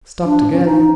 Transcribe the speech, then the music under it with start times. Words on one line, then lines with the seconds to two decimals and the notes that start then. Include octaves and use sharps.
Stopped again.
0.25 D4
0.51 C#4
0.65 D#4